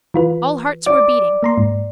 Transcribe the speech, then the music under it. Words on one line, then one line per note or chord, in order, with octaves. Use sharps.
All hearts were beating.
E3 F4 B4
D5
A#3 A#5 C6
G#2